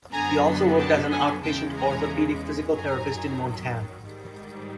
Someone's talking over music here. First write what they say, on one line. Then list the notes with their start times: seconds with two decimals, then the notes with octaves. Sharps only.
He also worked as an outpatient orthopedic physical therapist in Montana.
0.13 F#2 D3 F#3 B3 G#5 A#5
0.78 G5 A5
1.11 F#5 G#5
1.43 E2 C#3 E3 G#3 G5 A5
1.76 G#5 A#5
2.74 F#2 D#3 F#3 G#5 A#5
4.04 G#2 D#3 G3